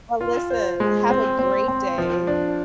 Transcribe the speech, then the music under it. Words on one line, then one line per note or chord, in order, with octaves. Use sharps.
Well, listen, have a great day.
F4
C5
G#3
C4
C4
C4
F3
D4